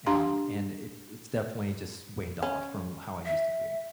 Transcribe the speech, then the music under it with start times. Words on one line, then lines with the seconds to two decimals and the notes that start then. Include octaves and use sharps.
Um, and it's it's definitely just waned off from how I used to be.
0.07 D4 G4 F5 A#5 C6
2.43 C#4
3.26 E5